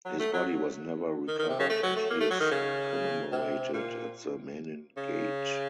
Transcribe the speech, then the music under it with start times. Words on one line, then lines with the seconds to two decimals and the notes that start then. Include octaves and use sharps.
His body was never recovered and he is commemorated at the Menin Gate.
0.05 F#3
0.19 A3
0.33 F#3
1.28 D#3
1.39 D#3
1.49 C3
1.59 C#3
1.70 A3
1.83 F#3
1.96 A3
2.10 A#3
2.20 A3
2.30 F#3
2.40 D#3
2.51 C#3
3.32 C3
3.73 A#2
4.97 C#3